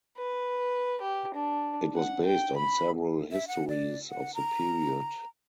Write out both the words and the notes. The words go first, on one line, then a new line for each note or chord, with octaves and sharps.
It was based on several histories of the period.
B4
G4
D4
F#5
G5
B5
E5
F#5
D5
F#5
A#5